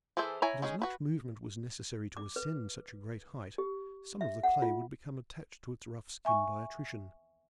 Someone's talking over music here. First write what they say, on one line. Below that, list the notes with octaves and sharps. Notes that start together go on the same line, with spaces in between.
But as much movement was necessary to ascend such a great height, some of the clay would become attached to its rough skin by attrition.
E3 G#4 A4 C5 E5
E4 C#5 G#5 A#5
G#3 C#4 D#4 G#4
F#4 B4
D6
B4
G4
E5
F#5
F4
E5 G#5 C#6